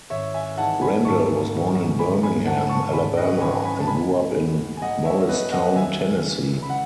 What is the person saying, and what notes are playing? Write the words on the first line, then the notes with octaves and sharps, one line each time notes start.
Randall, was born in Birmingham, Alabama and grew up in Morristown, Tennessee.
G#1 C#5 E5
E5 G#5
G#2 E3 F#5 A5
G#5 B5
G#1 A5 C#6
G#2 E3
G#1 G#5 B5
G#5 B5
F#2 C#3 E3 F#5 A5
A5 C#6
G#1 G#5 B5
B4 D#5
F#2 C#3 E3 G#5 B5
G#5 B5
A5
B1 G#5 B5
B2
G#5
B1 D#5 F#5
C#5 E5
B2 B4 D#5
D#5 F#5
D#2 E5 G#5
C#3 E3
B5
F#5